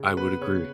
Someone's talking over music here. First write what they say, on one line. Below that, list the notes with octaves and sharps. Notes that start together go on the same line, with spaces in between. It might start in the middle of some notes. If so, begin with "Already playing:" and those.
I would agree.
Already playing: C#3
B3 B4
C#3 C#5